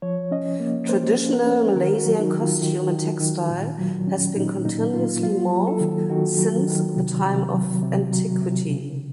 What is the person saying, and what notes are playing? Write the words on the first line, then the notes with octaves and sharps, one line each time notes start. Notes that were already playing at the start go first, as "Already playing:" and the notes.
Traditional Malaysian costume and textile has been continuously morphed since the time of antiquity.
F3 C#5
C#4 D#5
A#3
A#3 C5
C#4
A#4
C#4
D#3 A#4
F#4
F#3
D#4
D#3
F4
D#3
D#3
D#3
A#2
F#3
C#4
A#2 D#4
A#2 D#4
A#3 F4
F#3 F4
F#3
A4
D#3
D#3 F#4
F#3
D#3
C3
C3
F#3
C3
F#3
C3
C#3